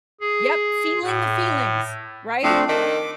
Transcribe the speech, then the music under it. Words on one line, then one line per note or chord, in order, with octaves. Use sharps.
Yep, feeling the feelings, right?
G#4
A2
F3 A3 C4 D4
D#3 D6